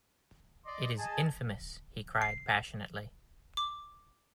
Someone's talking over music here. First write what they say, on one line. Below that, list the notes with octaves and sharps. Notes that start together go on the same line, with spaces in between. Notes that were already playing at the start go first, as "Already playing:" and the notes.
"It is infamous," he cried passionately.
D5 D#5 C6 D6
G#4 D#5 G#5 A5
C7
D6